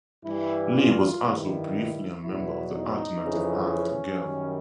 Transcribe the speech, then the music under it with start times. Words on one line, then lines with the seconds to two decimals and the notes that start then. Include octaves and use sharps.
Lee was also briefly a member of the alternative act Gerling.
0.24 G2 E3 G3 E4
0.74 F4
1.23 G2 D#3 G3 E4
2.23 E2 B2 F#3 E4
2.72 D#4
3.23 F2 C#3 E3
3.72 C#4
4.21 F#2 D#3 G3